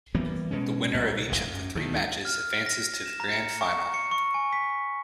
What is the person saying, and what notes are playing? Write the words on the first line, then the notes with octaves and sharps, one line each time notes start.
The winner of each of the three matches advances to the Grand Final.
E3 G3 A#3 B3
B2 G#3 C#4
C2 A#2 A#3
F1 A#1 G#2 C3
F#2
D2 D#3
F6
A#6
E7
A#5
C#7
C#6
C#7
C#6
G#5
B6